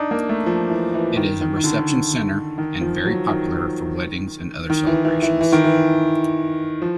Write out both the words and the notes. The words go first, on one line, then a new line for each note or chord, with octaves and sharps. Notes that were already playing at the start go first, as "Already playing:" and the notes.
It is a reception centre and very popular for weddings and other celebrations.
Already playing: D4 D#4
A#3
A3
F3
E3
E3
D#3
D#3
D#3
D3
D#3
F3
F#3
D#3
D#3
E3
E3
E3
E3
D#3
E3
F3